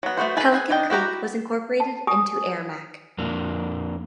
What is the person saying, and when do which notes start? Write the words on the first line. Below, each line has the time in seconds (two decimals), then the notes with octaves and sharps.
Pelican Creek was incorporated into Aramac.
0.03 F#3 B3
0.17 A3 B3 F#4 C5
0.37 G#4 B4 G#5 A5
0.53 B3 G#4 G#5
0.70 D#3 D4 D#5 G5
0.90 E4 F#4 G4 A#5
1.80 A5
2.07 G4 G#5 D#6
3.18 F2 A#3 D4